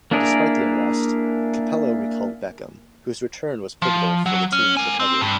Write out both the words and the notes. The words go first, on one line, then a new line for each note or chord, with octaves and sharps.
Despite the unrest, Capello recalled Beckham, whose return was pivotal for the team's recovery.
A#3 D4 E4 G#4 A#4
F3
F#3
C#4
A#4 G#5
C4
G2